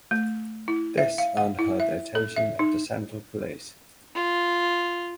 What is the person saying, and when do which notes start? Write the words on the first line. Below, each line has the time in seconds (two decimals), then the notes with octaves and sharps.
This earned her the attention of the Central Police.
0.11 A3
0.68 E4
0.98 E5
1.18 F5
1.37 F#5
1.59 E4
1.80 E5
2.15 A4
2.36 E5
2.59 D#4
4.15 F4